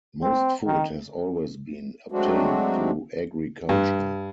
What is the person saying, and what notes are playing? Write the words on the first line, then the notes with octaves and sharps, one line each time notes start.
Most food has always been obtained through agriculture.
C4
D#3
F#3 G#3 A3 C4 D4 F#4
G2